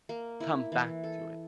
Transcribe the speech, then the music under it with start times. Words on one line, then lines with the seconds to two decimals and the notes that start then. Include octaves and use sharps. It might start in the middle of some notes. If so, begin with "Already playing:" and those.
come back to it,
0.09 A#3
0.40 E4
0.72 E3
1.04 A4